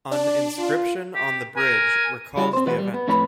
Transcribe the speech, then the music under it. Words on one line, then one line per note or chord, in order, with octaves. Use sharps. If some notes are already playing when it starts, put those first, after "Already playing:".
An inscription on the bridge recalls the event.
D4 D5
F4
G4
A#4 G#5
G3 E4 F#4
C4 C5
E2 A2 B4 E5 F#5
G3
B3
F2 A2 E4 B4 C#5 B5